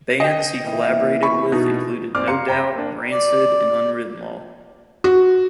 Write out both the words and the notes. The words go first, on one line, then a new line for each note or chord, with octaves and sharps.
Bands he collaborated with included No Doubt, Rancid and Unwritten Law.
D#5 G5
A#2 E3
B5 C#6
B2 D#4
A#1 C4 D5 D6 F6
F5 A#5 C6 C#7
G5 A#5 B5 A#6
A#3 D4
D5
F#4